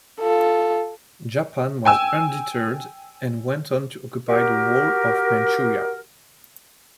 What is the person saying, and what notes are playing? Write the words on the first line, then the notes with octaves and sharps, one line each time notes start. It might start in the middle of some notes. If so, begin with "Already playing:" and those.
Japan was undeterred and went on to occupy the whole of Manchuria.
F4 A4
G5 G#5 E6
F#4 G4 A#4